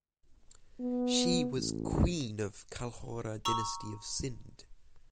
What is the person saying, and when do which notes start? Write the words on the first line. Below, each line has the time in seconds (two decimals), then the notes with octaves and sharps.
She was queen of Kalhora dynasty of Sindh.
0.80 B3
1.55 A1
3.45 A#5 C#6 E6